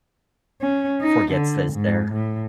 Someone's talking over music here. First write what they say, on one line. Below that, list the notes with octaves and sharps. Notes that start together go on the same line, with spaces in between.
Forgets that it's there.
C#4
D#4
D3
G#2
A2